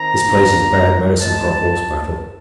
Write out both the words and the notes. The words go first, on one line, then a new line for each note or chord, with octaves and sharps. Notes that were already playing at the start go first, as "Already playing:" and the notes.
This place is bad medicine for a horse battle.
Already playing: D#3 C4 A#5
F#2 D3 F3 A#3 D4
G2 D#3 G#3
A2 E3 G#3 A5